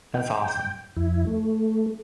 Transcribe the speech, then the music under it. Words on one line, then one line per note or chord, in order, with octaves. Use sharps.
That's awesome.
G5
F2 E4
A3